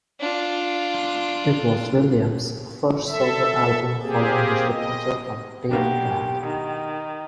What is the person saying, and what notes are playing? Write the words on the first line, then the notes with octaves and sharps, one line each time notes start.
It was Williams' first solo album following his departure from Take That.
D4 F4
A4 E5
A#3 C4 G4 G#4
D#5
B1 A#3 D4 G4
D#3